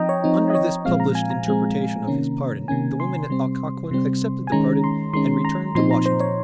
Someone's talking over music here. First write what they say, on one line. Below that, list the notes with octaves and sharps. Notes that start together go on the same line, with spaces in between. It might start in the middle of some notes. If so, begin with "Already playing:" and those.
Under this published interpretation of his pardon the women at Occoquan accepted the pardon and returned to Washington.
Already playing: F3 C4 D#4 D#5 G5 A#5
C#5
F3 C4 D#4
D#5
C#5
A#2 F3 G#3 C4 F5
A#5
G#5
A#5
A#2 F3 G#3 C4
C3 D#3 A#3 C#4
C3 D#3 A#3 C#4 G#5
C6
C3 G3 C4
C3 G3 C4
G#5
D#3 G#3 C#4 A#5
C6
D#3 G#3 C#4 C6
A#5
A#2 F3 C4 D#4 C6
A#5
C5
C#5